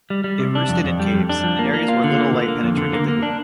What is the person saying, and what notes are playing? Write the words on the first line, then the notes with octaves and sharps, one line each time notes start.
It roosted in caves, in areas where little light penetrated the gloom.
G3
G3
C3
D4
F2
F2
G3
F2
D4
F3
A#3
A#3
F4
D3
A#3
D3
A#3
F2
D3
A#3
A#3
D4